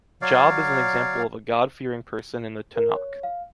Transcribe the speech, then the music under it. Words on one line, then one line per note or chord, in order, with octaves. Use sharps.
Job is an example of a God-fearing person in the Tanach.
F#3 C#5 D5 F5
A#4
C#5
F5